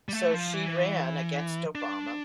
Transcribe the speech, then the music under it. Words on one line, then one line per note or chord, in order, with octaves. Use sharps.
So she ran against Obama.
G3
A3
F3
E3
D4